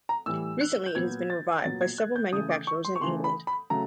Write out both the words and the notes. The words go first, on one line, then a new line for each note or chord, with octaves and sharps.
Recently it has been revived by several manufacturers in England.
A#5
A2 E3 G3 E6
F#6
G6
A#2 F#3 B3 G#6
A6
A#2 F#3 B3 A6
G#6
F#6
G6
C#3 E3 A3 D#6
D6
C#6
C6
C#6
C#3 E3 A3 C6
B5
B5
C#3 F#3 A3 A#5